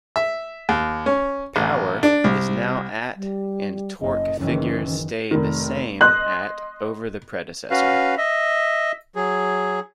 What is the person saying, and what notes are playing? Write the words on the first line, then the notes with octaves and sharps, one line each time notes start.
Power is now at and torque figures stay the same at over the predecessor.
E5
D#2
C#4
A1
D4
C2
G3
F#1 D#5
F#1 D#3 E3 C#4
F1 D#3
D#5 C6 F#6
C#4 F#4 B4 F5
D#5 E5
F#3 G#4